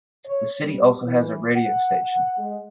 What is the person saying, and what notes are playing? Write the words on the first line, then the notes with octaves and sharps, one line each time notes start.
The city also has a radio station.
C#5
G3
E3
F#5
F#5
G#3